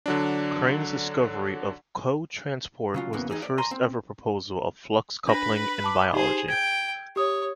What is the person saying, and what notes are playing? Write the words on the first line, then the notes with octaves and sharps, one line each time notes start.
Crane's discovery of cotransport was the first ever proposal of flux coupling in biology.
D3 F#3 D4
C#3 F#3 F4
B1 F2 C#3 E3 A#3 B3
E3 D#4 G#4
D5
D5 G#5 A#5 C6
C4
D4 B4 B5 A#6
A5 D6
D#4 G4 G#4 C5
G5 G6 G#6
G4 C#5 D#6